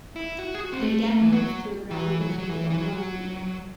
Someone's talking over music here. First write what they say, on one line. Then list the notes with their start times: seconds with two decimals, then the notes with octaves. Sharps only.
They then moved to a ground located off London Road.
0.16 E4
0.39 F#4
0.54 G#4
0.60 F#4
0.72 C4
0.82 A3
1.03 A3
1.22 E3
1.32 F#3
1.91 E3
2.21 F#3
2.39 F#3
2.49 E3
2.70 E3
2.78 F#3